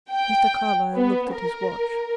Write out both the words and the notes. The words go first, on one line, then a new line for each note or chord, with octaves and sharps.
Mr. Carlyle looked at his watch.
G5
B3
A#4